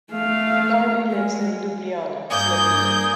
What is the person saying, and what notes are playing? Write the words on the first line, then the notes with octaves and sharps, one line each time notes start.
He currently lives in Ljubljana, Slovenia.
A3 F5
G#3
G2 A#3 D5 G#5 D#6 G6 G#6 A#6